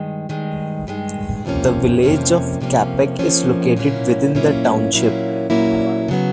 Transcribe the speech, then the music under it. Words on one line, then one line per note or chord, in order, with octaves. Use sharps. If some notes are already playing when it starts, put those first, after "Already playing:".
The village of Capac is located within the township.
Already playing: G2 D#3 G#3
G2 D#3 G#3
G2 D#3 G#3
F2 C3 F3 A#3 C#4
F2 C3 F3 A#3 C#4
F2 C3 F3 A#3 C#4
F2 C3 F3 A#3 C#4
A#2 F#3 A#3 C#4 E4
A#2 F#3 A#3 C#4 E4
A#2 F#3 A#3 C#4 E4
A#2 F#3 A#3 C#4 E4
C#3 F#3 B3